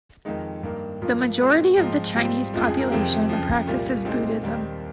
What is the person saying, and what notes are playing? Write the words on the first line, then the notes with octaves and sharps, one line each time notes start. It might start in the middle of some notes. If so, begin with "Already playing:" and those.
The majority of the Chinese population practises Buddhism.
F2 D#3 G#3 D#4
G2 D#3 A#3
G2 F3 A#3 F4
A#2 G#3 C4 F4
G#2 F3 G#3 C4 F4
G#2 G3 C4 F4
F2 C#3 F3 G#3 F4
G#4
A#4
F2 C3 D#3 G#3 C4 G4
F2 C#3 F3
C2 A#2 G3 F4
A#2 G#3 C4 D#4
D#2 D#3 G3 C4